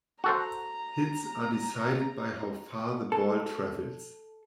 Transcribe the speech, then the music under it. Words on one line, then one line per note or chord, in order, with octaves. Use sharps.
Hits are decided by how far the ball travels.
F#4 A4 C5 A#5
A4